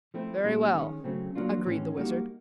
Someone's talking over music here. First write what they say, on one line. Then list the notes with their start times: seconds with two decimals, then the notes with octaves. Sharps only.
"Very well," agreed the Wizard.
0.14 F3 A3 C4 E4
0.44 A#2 G3 A#3 C#4 E4
0.74 D#3 G#3 C#4
1.04 C#3 F#3 A3 C4
1.35 F#3 A#3 D4 F4
1.65 A2 E3 G#3 C#4
1.96 G3 A#3 D#4 F#4